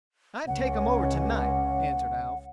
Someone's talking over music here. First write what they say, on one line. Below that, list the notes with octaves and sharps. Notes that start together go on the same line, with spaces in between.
"I'd take 'em over tonight," answered Alf.
C#2 C#3 F#5